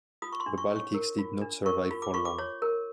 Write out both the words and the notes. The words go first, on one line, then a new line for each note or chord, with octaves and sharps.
The Baltics did not survive for long.
F4 D#6
C#6
C6
D4
C#6
C#5
C#6
A#4
F4
D4
A#4 C#6
F4
D6
F4 C#6
D6
C#5
A#4